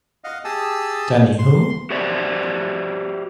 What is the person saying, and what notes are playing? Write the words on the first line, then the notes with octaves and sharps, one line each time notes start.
Dani Who?
D#5 F5 F#5
G4 G#4 A5 D#6 E6
C6
F#4 G4 C5 D5 E5